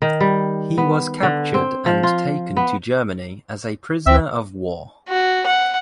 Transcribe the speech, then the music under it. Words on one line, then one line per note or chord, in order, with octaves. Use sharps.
He was captured and taken to Germany as a prisoner of war.
D#3
G3
B3
D3
C4
F3
F4
B3
D2 C4 E5 E6
F#4
F#5